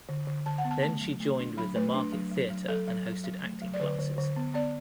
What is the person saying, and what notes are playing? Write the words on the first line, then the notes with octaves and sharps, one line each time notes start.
Then she joined with the Market Theatre and hosted acting classes.
D3
D3
D3 A5
F#5
B3
A5
A3 A5
F#3
A3
D4
F#3 B5
A3 B4
D4
F#3
F#3
F#3
F#3 A4
F#3
F#3
F#3
A3
F#3
D5
D3 B4
D3
D3
B3
B3 D5